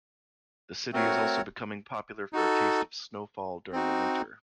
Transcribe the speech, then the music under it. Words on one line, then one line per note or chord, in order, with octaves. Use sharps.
The city is also becoming popular for a taste of snowfall during the winter.
A3 C4 F#4 A#4 C#5
D#4 F#4 A4
C4 D#4 F#4